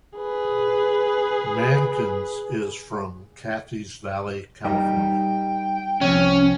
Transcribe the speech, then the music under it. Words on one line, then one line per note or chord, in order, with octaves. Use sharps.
Mankins is from Catheys Valley, California.
G#4 B4
G3 D#4 A#4 G5
C2 F3 C4 C#4